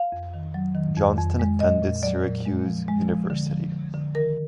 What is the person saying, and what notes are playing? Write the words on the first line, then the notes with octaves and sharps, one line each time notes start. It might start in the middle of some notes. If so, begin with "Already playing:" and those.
Johnston attended Syracuse University.
Already playing: F5
F2
D#3
F#3
D#3
F2
F2
G#3
A#2 D#5
A#2
F#3 D5
A#2
G#3
F3
G#3
F3
D3
F3
D3
D3
D#3 A#4